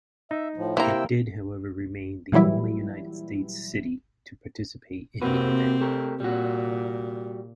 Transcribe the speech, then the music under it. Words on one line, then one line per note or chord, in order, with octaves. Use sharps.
It did, however, remain the only United States city to participate in the event.
D#4 E5
A2 F3
C3 A#3 E4 C5 G5 A#5 E6
A#2 E3 F#3 G3 E4
C3 A#3 C4 F#4 B4
A3 G4 A#4
A#2 G3 F#4